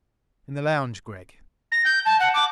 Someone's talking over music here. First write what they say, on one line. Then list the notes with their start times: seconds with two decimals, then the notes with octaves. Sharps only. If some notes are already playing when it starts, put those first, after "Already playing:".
"In the lounge, Gregg?"
1.71 A#6
1.84 G6
2.05 A5
2.20 F#5
2.34 D6